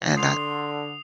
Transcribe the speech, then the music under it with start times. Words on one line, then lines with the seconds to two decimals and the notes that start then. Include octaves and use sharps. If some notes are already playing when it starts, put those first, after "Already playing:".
and I I
0.17 D3 C6 D#6 C7 F7